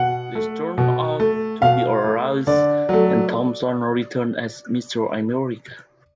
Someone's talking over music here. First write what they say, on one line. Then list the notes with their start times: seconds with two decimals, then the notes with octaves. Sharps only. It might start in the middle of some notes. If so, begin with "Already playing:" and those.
This turned out to be a ruse, and Thompson returned as Mister America.
Already playing: B2 F#5
0.35 A3
0.78 B2
1.20 A3
1.62 B2 F5
2.04 A3
2.47 D3 D5
2.89 F#3 A3